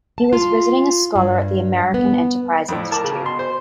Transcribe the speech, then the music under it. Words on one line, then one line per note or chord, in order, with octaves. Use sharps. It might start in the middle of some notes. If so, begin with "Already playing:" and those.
He was a visiting scholar at the American Enterprise Institute.
A5
F4
G2
B3
F2 A2
A#4 A5 D6
C#3
B2 C6
C5